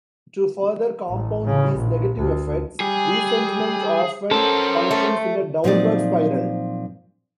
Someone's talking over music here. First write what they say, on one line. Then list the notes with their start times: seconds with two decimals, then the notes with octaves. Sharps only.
To further compound these negative effects, resentment often functions in a downward spiral.
1.09 A1
1.45 C#3
1.75 A#1
2.17 D2
2.80 G3 G#4
4.31 C#4 A4 A#4 C5
4.91 A3
5.64 A#2 F3 F#3 C4 D#4 D5